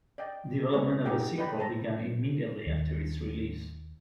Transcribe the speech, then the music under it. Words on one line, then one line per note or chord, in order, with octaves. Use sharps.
Development of a sequel began immediately after its release.
D5 D#5 G5
G#3 A3 B3 C#5
A#3 D#4 G4 G#4 F#5 G5
B4 D5 D#5 G5 B5
C5 A5 A#5
D#2